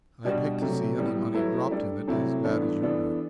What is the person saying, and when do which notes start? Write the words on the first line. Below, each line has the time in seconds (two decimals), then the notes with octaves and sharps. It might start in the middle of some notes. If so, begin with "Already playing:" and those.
I'd hate to see any money dropped in it as bad as you would.'
0.25 B2 G3 D4 F#4
0.62 C3 F#3 A3
0.98 A2 G3 B3
1.34 F#3 A3 E4 B4
1.71 G3 D4 A4 D5
2.07 C3 F#3 A3 C4 E4
2.44 G2 E3 B3 D4 A4
2.80 E3 B3 D4 A4